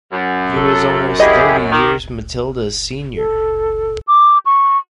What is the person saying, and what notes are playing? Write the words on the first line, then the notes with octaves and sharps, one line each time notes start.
He was almost thirty years Matilda's senior.
F#2
A4
E4 G4 G#4 D#5
D#3 D6
A4
D6
C#6